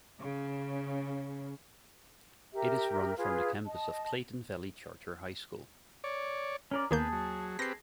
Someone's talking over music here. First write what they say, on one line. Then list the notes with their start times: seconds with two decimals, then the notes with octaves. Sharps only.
It is run from the campus of Clayton Valley Charter High School.
0.19 C#3
2.53 G4 A#4 E5
3.17 F4 G#4 B4
3.66 D#5 A5
6.04 C#5 D5
6.71 C#4 A#4 D5
6.91 D#2 A#3 B3 G#4 A5 G6
7.12 F#3
7.59 C4 G4 B4 A#6 C7